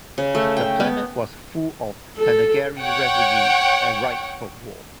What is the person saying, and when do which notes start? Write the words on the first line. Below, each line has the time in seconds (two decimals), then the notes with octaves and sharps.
The planet was full of Thanagarian refugees, and ripe for war.
0.18 C#3
0.35 A3
0.57 G5
0.80 B3
2.18 A4
2.79 C#5 F#5 G5